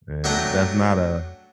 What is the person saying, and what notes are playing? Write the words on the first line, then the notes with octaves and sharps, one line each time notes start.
and, that's not a
F#3 A3 D4 G5 A#5